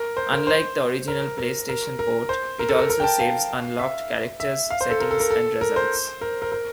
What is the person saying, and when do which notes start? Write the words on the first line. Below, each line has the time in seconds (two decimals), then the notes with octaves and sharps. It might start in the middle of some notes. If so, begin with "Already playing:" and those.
Unlike the original PlayStation port, it also saves unlocked characters, settings and results.
Already playing: A#4
0.17 C5
0.32 A#4
0.47 C5
1.08 A#4
1.38 A#4
1.69 A#4
1.99 A#4
2.29 C5
2.59 A#4
2.69 A4
2.79 A#4
2.90 A#4
3.00 G5
3.04 A5
3.19 F5
3.79 E5
4.40 E5
4.70 F5
4.81 C5
4.90 A4
5.00 A#4
5.11 A4
5.20 A#4
5.31 A4
5.61 A#4
5.76 C5
6.21 A#4
6.42 A#4
6.52 A#4